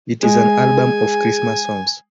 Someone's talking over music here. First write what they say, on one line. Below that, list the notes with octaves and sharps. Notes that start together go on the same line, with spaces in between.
It is an album of Christmas songs.
G#3 G#4 G#5